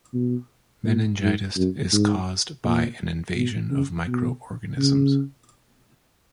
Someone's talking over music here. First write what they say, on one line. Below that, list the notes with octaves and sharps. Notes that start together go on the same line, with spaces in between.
Meningitis is caused by an invasion of micro-organisms.
B2
A#2
G#2
F#2
G#2
A#2
B2
C#3
B2
C#3